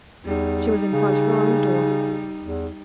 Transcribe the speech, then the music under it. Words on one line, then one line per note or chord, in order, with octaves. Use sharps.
She was in front of her own door.
E2 G3 D#4
C#3
E2